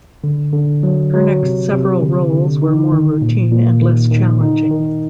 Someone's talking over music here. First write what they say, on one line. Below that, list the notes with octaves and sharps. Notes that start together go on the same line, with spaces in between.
Her next several roles were more routine and less challenging.
D3
D3
F#3
F#3
C3
C3
D3
D3
D#4
D#3
A#2
A#2
D#3
D#3
D#4
D#3